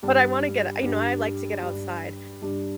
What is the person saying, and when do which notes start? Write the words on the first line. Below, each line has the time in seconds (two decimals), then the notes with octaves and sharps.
but I wanna get you know, I like to get outside,
0.03 G2 G3 D4 G4
0.83 G2 G3 D4 G4
1.62 G2 G3 D4 G4
2.42 G2 G3 D4 G4